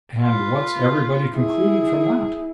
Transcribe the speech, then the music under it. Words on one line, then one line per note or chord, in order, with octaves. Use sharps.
"And what's everybody concluded from that?"
F4 B4
E4 G#4